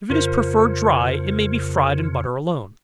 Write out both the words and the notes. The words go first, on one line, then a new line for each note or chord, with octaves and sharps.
If it is preferred dry, it may be fried in butter alone.
F2 C#3 F4 A#4 C5